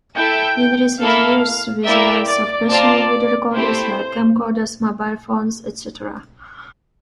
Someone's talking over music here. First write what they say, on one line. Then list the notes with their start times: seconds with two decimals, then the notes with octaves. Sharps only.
In recent years with the rise of personal video recorders like camcorders, mobile phones,etc.
0.15 E4 A4 E5 G5 A5
1.00 A#3 E4 A4 F5
1.84 A#3 E4 A#4 D5 E5 G5
2.28 D5
2.69 C4 F4 A#4 D5 F5 A5
3.53 A3 C4 E4 G4 C5